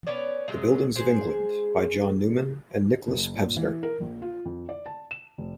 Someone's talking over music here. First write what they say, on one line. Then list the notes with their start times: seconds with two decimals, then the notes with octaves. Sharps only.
The Buildings of England by John Newman and Nikolaus Pevsner.
0.07 B3 C#4 C#5 D5
0.48 C3 F#3 G#3
0.96 G#3 G#4 C5
3.07 F#1
3.35 A#2
3.57 E3
3.83 A#4
4.01 A#1
4.22 F4
4.45 F2
4.69 D5
4.86 A5
5.11 E7
5.38 F1